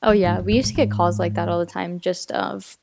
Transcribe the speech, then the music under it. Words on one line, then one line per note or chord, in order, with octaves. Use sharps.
Oh yeah, we used to get calls like that all the time just of
F#3
G#2
F#2
G#2
G#2
G#2